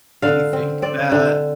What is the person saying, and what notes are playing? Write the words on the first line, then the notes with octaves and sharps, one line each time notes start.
Do you think that
D3 F5
C4
C4 D5
D3